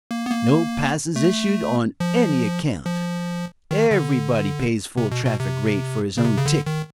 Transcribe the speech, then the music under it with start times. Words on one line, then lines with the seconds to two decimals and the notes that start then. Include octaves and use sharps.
No passes issued on any account; everybody pays full traffic rate for his own ticket.
0.11 A#3
0.26 B3
0.31 A#3
1.16 A3
2.00 F3
2.86 F3
3.71 D#3
3.91 D3
4.97 C3
5.12 B2
5.26 B2
5.40 C3
6.18 C#3
6.25 C3
6.37 C#3
6.46 D3
6.67 D#3